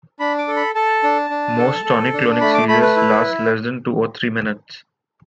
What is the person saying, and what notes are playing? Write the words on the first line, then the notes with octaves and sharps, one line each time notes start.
Most tonic-clonic seizures last less than two or three minutes.
D4 B5
D6
A4
B5
A4 A5
D4
D4
A4
A4
D4
A3 B5
D6
A3 B5
B4
E4